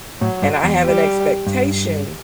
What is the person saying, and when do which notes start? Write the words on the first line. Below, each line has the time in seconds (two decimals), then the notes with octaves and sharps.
and I have an expectation
0.21 A2 F#3
0.42 G2
0.64 E2
0.84 G3
1.47 G2